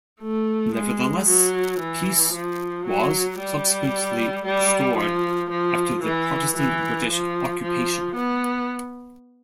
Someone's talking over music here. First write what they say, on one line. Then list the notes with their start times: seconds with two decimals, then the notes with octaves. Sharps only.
Nevertheless, peace was subsequently restored after the Protestant British occupation.
0.21 A3
0.75 G#3
1.27 F#3
1.80 E3
2.33 F3
2.86 F#3
3.39 G3
4.45 G3
4.97 F3
5.50 F3
6.03 E3
6.56 E3
7.09 F3
7.62 F3
8.15 B3